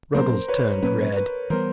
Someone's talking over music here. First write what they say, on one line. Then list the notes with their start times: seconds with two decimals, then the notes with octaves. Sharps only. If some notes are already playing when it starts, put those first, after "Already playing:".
Ruggles turned red.
0.15 A#2 F#3 A#3 C#4 A#4 C5
0.48 B4 C#5
0.83 A#2 F#3 A#3 C#4 B4
1.17 B4
1.50 E3 G3 B3 A#4 C5